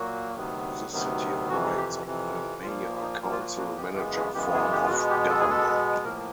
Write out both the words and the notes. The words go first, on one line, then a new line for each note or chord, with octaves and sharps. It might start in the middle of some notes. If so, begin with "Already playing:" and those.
The City operates under a Mayor-Council-Manager form of government.
Already playing: A#2 F#3 A#3 F#4
D2 C3 D#3 F#3 B3
D2 C3 D#3 F#3 B3
F2 C3 E3 F#4
G4
F2 C3 E3
A#2 F3 A#3 F4
D#4
A#2 F3 A#3
F4
F#4
F#4
F#2 C#3 E3 G#3 B3 G4
G4
G#4
F#2 C#3 E3 G#3 B3 G4
G#4
G4
F4
B2 G#3 B3 F#4
G4
A4
G#4
B2 G#3 B3 A4
A2 F3 A#3 A#4